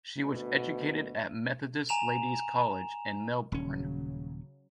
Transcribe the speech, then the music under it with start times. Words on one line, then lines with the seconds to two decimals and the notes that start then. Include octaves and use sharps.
She was educated at Methodist Ladies' College in Melbourne.
0.22 D2 B2
1.89 G#5 A#5 E7 F7
3.52 D#1 C#3 F#3 C#4